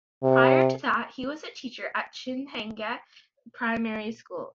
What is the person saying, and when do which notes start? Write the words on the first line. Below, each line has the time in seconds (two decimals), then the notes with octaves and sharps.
Prior to that he was a teacher at Chinhenga primary school.
0.23 C3